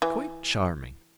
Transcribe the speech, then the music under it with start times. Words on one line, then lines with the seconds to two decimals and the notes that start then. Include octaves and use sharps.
Quite charming!
0.02 E3